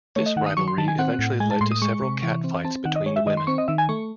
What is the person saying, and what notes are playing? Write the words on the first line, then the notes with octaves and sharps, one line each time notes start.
This rivalry eventually led to several catfights between the women.
A3 C#5
D#5
D#3 F#5
D#6
F#3 C#6
C6
D#3 A5
G#5
C4 F#5
A2
G#3 G#5
A5
A2 C6
D#6
G#3 C#6
C3
E3
C4
C4 A5
D#3 F#5
D#5
G#3 C#5
E5
D#3 D#5
C6
C4 C#6
D#5
D#3 E5
G#5
A3 C#6